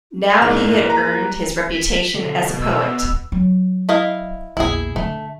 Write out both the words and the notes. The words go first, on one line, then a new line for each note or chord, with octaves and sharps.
Now he had earned his reputation as a poet.
A#1 E2 G#2 A#3
B4 A#5
B6
B2 D3
E6
F#3
E4 D#5 F5
A#1 E2 E4 G#4
D3 A3 D4